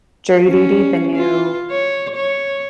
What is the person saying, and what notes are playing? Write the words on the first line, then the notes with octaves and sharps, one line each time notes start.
Jury Duty, the new
C#4
F4
C#5
C#5